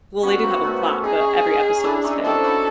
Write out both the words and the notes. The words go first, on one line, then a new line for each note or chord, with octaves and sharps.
Well, they do have a plot, but every episode is kind of
B3 C#4 F#4
A#3 C4
A3 B3
B3 C#4
C#4 D#4 G#4
D4 E4
C#4 D#4
C4 D4 A4
E4 F#4